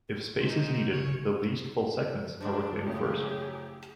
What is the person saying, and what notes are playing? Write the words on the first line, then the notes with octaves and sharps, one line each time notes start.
If space is needed, the least-full segments are reclaimed first.
D#4 C5
C#3 C#5
F3 G#3 D4 D#4
F#2 A2 C#3 G4 G#4